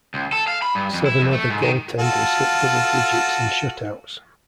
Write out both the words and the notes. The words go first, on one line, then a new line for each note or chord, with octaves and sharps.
Seven other goaltenders hit double digits in shutouts.
C#2
A4
F5
B5
G2
F2
E4
F2
A3
G#2
D#3
F4 F#4 A4